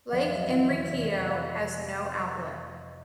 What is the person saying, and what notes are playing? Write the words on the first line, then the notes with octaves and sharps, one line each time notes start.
Lake Enriquillo has no outlet.
F2 D5 E5
D#5 F5
F#3 D5 E5
D#5 F5
E3 E5 F#5
E2
F1 D5 E5
F1
F3 D#5 F5
F3